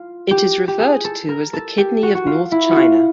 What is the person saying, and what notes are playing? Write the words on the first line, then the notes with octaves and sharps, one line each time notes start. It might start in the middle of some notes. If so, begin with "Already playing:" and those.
It is referred to as the Kidney of North China.
Already playing: F4
G4
G4
G#4
A4
A#4
A4
G4
F#4
F#4
F4
E4
F#4
F4